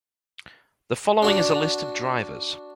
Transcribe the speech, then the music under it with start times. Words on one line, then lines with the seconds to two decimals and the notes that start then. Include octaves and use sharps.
The following is a list of drivers.
1.22 D4 F#4